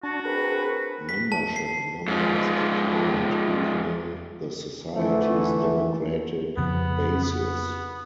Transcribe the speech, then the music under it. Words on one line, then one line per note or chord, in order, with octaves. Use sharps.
Membership numbers declined, weakening the society's democratic basis.
D4 F#4 A5
C4 D4 G#4 A#4 B4
B6
A5
C7
G#2 F3
D3 E3 A3
F2 C#3 F3 B3
B3